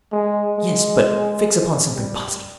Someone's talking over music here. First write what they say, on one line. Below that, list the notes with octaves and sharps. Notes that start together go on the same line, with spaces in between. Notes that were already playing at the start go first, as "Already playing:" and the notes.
"Yes; but fix upon something positive."
G#3
G#3
G3